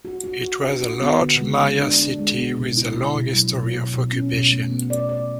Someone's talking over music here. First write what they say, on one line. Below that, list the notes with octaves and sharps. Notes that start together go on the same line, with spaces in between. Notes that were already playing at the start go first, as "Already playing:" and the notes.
It was a large Maya city with a long history of occupation.
F#4
F#4
F#4
D4
F#4
B3
D3
G#3
G#3
D4
D4
G#3
B3
B2
E4
E4
B2
F#3
B2
B2
B2
C#4
B2
A3
B3
D5
D5